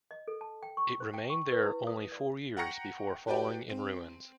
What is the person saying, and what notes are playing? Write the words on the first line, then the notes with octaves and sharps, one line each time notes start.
It remained there only four years before falling in ruins.
D#5
A4
A5
G5
C#6
C5
G5
C#6
B4
E4
D#6
D5
F#5 G5 A#5 C#6 A#6 C#7
F#4 G4 B4 D5 G5
C4